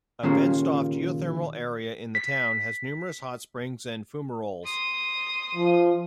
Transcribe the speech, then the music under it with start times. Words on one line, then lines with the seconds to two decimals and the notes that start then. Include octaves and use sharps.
A fenced-off geothermal area in the town has numerous hot springs and fumaroles.
0.23 D#2 A#2 C#3 A#3
2.15 B6
4.65 C6 D#6
5.55 F3